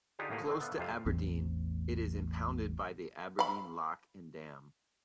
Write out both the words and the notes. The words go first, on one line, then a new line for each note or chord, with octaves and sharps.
Close to Aberdeen, it is impounded by the Aberdeen Lock and Dam.
D3 D4 D#4 F4 G4 G#4
A2 A#3 G4 G#4 F#5 A#5
D3 D#3 C4
B3 A4 D5 E5 F5 A5
F2 C3 F3 F4 C5 F5
A1 E2 C4
F5 B5